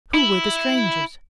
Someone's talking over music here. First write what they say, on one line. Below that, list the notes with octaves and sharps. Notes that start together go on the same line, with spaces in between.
Who were the strangers?
E4